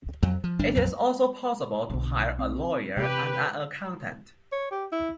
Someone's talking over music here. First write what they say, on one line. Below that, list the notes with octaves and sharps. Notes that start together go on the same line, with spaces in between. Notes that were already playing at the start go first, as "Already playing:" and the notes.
It is also possible to hire a lawyer and an accountant.
F2 F#3
F3
G1 G3 D4
A#1 F2 F#3 A#3
B1 B2 D3 D4
C4
E2 C3 G4 B4
C#5
G4
E4